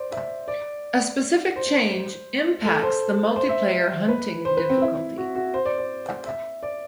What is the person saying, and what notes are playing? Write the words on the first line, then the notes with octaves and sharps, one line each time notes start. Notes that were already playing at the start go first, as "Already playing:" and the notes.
A specific change impacts the multiplayer hunting difficulty.
Already playing: C5 D5
E5
D5
C5
A4
C5
C5
E5
B4
C5
B4
C4
E4
F#4
F#4
C5
D5
D5
E5
D5